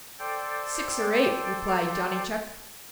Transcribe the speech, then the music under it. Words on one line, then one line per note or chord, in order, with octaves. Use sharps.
"Six or eight," replied Johnny Chuck.
A4 C5 D5 G5